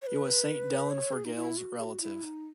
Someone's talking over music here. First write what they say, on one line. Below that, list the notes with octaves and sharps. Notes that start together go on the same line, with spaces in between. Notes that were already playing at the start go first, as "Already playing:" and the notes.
He was St. Dallan Forgaill’s relative.
C#5
B4
C#5
G#4
D#4
E4
F#4
G#4
F#4
E4
D#4